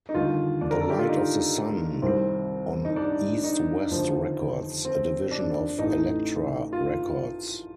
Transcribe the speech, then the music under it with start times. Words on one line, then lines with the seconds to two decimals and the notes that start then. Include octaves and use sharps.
The Light of the Sun, on East West Records, a division of Elektra Records.
0.09 D#4
0.14 D#2 D3 G3 F4
0.61 D4
0.71 A#4
0.80 A4
0.90 G4
0.99 F4
1.08 D#4
2.02 C2 C3 D#3 G3 C4
2.85 D#4
2.96 D4
3.44 D#4
3.90 F1 D#2 D3 F3
4.85 C4
5.31 D4
5.78 A1 A2 A3 D#4
6.73 F4